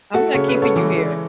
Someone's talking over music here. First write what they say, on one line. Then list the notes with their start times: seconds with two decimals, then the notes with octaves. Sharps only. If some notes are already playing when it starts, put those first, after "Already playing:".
I'm not keeping you here.
0.14 A3 F#4 A4
0.34 C#3 C#5
0.48 B4
0.55 C#3
0.62 A4 C#5
0.76 E3
0.97 G#3